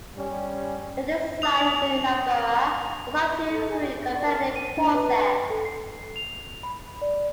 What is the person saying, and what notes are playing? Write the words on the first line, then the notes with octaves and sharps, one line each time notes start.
The design of the Imambara was obtained through a competitive process.
G3 C#4
D#6 F7
A4
G#4
G4
E5
D5
A#4
D#7
D4
B4
A4
C7
F7
B5
D5